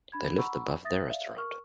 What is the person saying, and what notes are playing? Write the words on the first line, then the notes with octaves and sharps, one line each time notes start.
They lived above their restaurant.
D4 B5 G#6
F#5 A#5 B5 C#6 E6
E5 D#6 A6 A#6
D5 E5 F5
A#4 C#6 F6